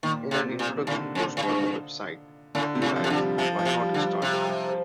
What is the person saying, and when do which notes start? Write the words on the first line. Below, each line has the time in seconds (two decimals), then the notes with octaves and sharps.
In an introduction posted on the website, he writes, Why not start a country?
0.03 A#2 D#3
0.31 C3
0.45 C3
0.59 A#2
0.76 D#3
0.87 A2 D3
1.15 F2
1.37 A2
1.43 G2
2.55 A2 D3
2.75 C3
2.82 A2
2.96 F3
3.04 C3
3.10 D3
3.17 G3
3.38 C3 F3
3.59 F3
3.65 C3
3.80 G3
3.94 D3
4.01 G3
4.21 C3 G3